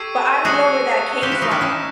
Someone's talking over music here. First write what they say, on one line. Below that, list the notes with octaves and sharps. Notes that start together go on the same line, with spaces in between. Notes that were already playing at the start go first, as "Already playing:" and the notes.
But, I don't know where that came from.
Already playing: G4 A4 C#6 E6 G#6 C7 D#7
F#4 G#4 D#6 F#6 A#6 C#7
F4 G4 G6 B6 E7
E4 F#4
D#4 F4
D4 E4
C#4 D#4